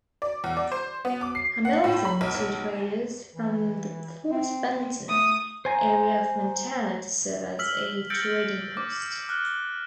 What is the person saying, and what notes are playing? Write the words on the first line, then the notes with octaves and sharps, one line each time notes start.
Hamilton-two traders from the Fort Benton area of Montana-to serve as a trading post.
D5
E2
D5
C5
B3
D6
C7
F#5
A2
B5
B1
B1
E3
C4
C4
A3 D#6
C5 G#5 A#5
E6 F6 B6 F#7
E6 G6 A6 A#6 C#7 D7
D6
F6 F#6